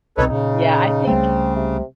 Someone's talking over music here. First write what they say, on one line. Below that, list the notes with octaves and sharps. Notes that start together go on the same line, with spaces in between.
Yeah, I think,
C2 B2 C4 D#4 A4 B4 C#5
A#2 C#3 D#4
C#2 G3 A3 C4
C3